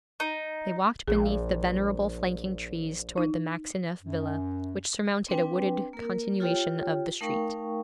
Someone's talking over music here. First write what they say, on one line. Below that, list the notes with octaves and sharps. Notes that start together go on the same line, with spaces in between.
They walked beneath the venerable flanking trees toward the Maxineff villa, which surmounted a wooded continuation of the street.
D#4
A#1 G#4
D#4
F#2
C4 D4 B4 G5 G#5
A#3 A#4
F4 G4 A4 C#5 G5
A3 D#4 A#4 F5 G5 C#6